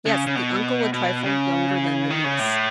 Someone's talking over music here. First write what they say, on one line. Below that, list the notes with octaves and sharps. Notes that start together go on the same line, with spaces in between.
"Yes; the uncle a trifle younger than the niece."
C#3
C#3
B2
B2
C#3
D#3
C#3
A2